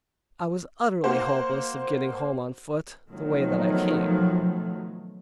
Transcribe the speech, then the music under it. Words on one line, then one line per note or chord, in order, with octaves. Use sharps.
I was utterly hopeless of getting home on foot, the way that I came.
A#3 F#4 C5
B2 D#3 F3 F#3 A3 B3